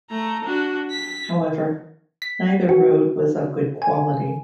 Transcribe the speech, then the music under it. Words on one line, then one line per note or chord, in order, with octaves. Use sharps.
However, neither road was of good quality.
A3 A#5
D4 F#4
B6
B6
F#4
G#5